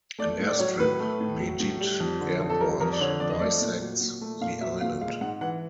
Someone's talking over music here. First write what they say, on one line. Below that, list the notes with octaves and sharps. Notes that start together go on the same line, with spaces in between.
An airstrip, Mejit Airport, bisects the island.
A3 D5
A2
D5
F#3 C#5
A2 B4
A3
A2
F#3
A2
G3
F2
D3
F2
A4
G3 A#4
F2 A#4
D5
D3 C#5
F2 D5
D#5
A3 D5
A#2
F#3
A#2
A3
A#2 F5
F#3 E5
A#2 F5
G#3 F5
G#2 F#5
E3 F#5